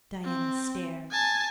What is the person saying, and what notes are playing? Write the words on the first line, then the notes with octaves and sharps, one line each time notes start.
Diana stared.
C4
G#5 A5